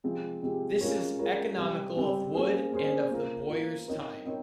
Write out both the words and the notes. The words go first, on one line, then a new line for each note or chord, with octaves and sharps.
This is economical of wood and of the bowyer's time.
C3 F3 G#3 C4 G4
C3 F3 G#3 C4 G4
G#3 C#4 F4 A#4 C#5
G#3 C#4 F4 A#4 C#5
C3 G3 C4
C3 G3 C4
A#3 C#4 G#4 C5
A#3 C#4 G#4 C5
A#3 F4 A#4
A#3 F4 A#4
C4 D#4 A#4 C#5
C4 D#4 A#4 C#5